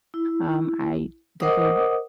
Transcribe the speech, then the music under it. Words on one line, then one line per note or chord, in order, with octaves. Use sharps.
um, I definitely
E4
A#4 C5 D#5 F#5 D6 D#6